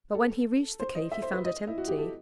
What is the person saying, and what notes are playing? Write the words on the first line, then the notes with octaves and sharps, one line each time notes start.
But when he reached the cave he found it empty.
A4
C5
D#5
E5
C5
B4
D#5
E4
F#4
G4
A4